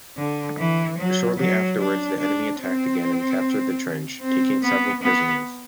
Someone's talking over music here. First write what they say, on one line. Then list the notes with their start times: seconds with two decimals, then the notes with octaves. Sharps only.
Shortly afterwards the enemy attacked again and captured the trench, taking several prisoners.
0.18 D3
0.58 E3
0.98 F#3
1.38 F#3
1.79 D4
2.19 D4
2.60 C4
4.21 C4
4.62 B3
5.02 B3